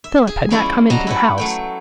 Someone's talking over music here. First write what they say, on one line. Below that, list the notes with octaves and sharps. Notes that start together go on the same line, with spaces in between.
Philip had not come into the house.
E5
G#4
F3 G#3 C#4 E4 D5 C6
F#3 G3 D#5 A5 A#5
E4 B4 F#5
F#3 A3 G5